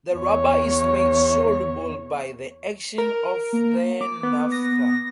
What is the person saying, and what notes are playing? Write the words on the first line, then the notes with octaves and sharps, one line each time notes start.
The rubber is made soluble by the action of the naphtha.
E2 C#5
A#4
A#3
D6
B3
A#6